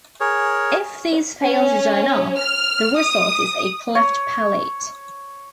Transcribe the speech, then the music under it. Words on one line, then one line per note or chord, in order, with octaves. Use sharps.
If these fail to join up, the result is a cleft palate.
G#4 A#4 C#5
C#4
F6
D#6
C#5